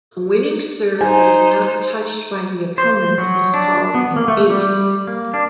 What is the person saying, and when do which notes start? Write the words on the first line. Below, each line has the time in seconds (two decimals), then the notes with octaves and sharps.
A winning serve that is not touched by the opponent is called an "ace".
1.01 D#4 C5 G#5
2.78 C5
3.18 F#3
3.54 D4
3.94 B3
4.16 A#3
4.28 A3
4.50 G3
5.07 A#3
5.34 D4